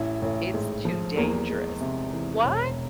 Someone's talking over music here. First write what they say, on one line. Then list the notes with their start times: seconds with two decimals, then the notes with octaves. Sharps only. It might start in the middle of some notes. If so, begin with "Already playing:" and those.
It's too dangerous." What?
Already playing: A1 E4
0.22 A1
0.54 G#2
0.85 F3
1.17 E2 A#3
1.50 G#3
1.81 C3
2.13 E3
2.44 E1